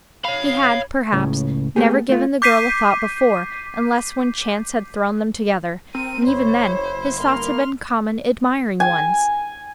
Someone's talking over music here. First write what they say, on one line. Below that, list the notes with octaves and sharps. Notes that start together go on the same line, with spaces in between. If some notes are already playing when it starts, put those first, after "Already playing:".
He had, perhaps, never given the girl a thought before, unless when chance had thrown them together, and even then his thoughts had been common admiring ones.
C#5 F5 B5
C#2 A2 C#3
A3 B3 G4 G#4
A3 F4
D6 G6 B6 C7 D#7
C4 A#4 D#7
F#1 E4 C5 C#5
G1 A#3 A#4 C6 F6
G#5